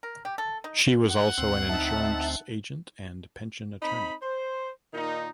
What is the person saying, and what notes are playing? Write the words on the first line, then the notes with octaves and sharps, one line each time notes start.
She was also an insurance agent and pension attorney.
A#4
G4
A4
D#4
F#5
D2 C4
D#4 E5 A5
C4 D#4 B5
C5
A#2 D#3 D#4